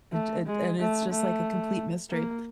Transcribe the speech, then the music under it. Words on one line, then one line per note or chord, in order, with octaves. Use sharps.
and and and it's just, like, a complete mystery,
A3
G#3
A3
A3
A#3